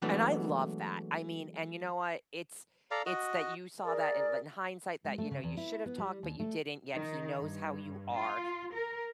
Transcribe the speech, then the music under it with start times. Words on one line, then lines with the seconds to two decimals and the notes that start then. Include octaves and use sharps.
And I love that, I mean and you know what? It's it's that you saw that, in in hindsight that, you know, you should’ve talked, but you didn't, yet he knows how you are,
0.02 E3 F#3 G#3 A3 B3 D4
2.91 A4 D5 F5 A#5
3.06 F#4 D#5
3.84 G#4 A#4 D5
5.04 G#3
5.18 A3
5.31 C#3
5.43 E2
5.57 E4
5.86 B3
5.98 G3
6.23 D#2
6.39 A3
6.95 D#3
7.38 G2
8.14 F4
8.75 A#4